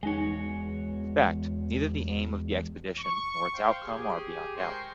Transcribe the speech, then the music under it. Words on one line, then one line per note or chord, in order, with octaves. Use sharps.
In fact, neither the aim of the expedition nor its outcome are beyond doubt.
E2 G#3 D#4 F#4 C#5 G#5
C#6
C5 F5 G5 C6
G4 G#4
G#3 A#4 C5 G5 C6 C#6